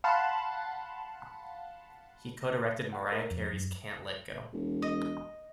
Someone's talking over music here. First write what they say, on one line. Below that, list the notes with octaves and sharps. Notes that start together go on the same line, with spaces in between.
He co-directed Mariah Carey's Can't Let Go.
F5 F#5 A5 B5 C6 F#6
F#5
A#4
F2
F#2
E1
D#5